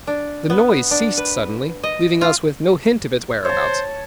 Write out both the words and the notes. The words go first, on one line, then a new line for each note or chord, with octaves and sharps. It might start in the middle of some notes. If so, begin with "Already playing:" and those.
The noise ceased suddenly, leaving us with no hint of its whereabouts.
D4
B3
D4
B4
D#5
F4
C5 C#5 A5